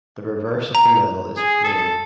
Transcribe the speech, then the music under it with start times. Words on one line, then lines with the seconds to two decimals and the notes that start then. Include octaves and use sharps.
The reverse of the medal is plain.
0.75 A#5
1.37 G#4
1.64 A4